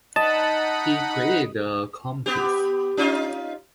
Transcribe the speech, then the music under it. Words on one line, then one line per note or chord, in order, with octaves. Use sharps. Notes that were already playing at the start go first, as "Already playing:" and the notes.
He created the Comtesse.
D#4 D#5 F#5 A5 B5
B3 G4
C#4 D#4 F4